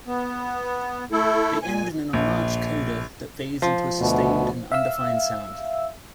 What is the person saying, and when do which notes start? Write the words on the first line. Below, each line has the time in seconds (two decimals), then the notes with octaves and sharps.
They end in an enlarged coda that fades into a sustained and undefined sound.
0.07 B3
1.12 A3 E4 A4
1.62 A#2 G#5
2.13 A#1
3.62 F3
3.99 D2 B2
4.72 E5 F5 E6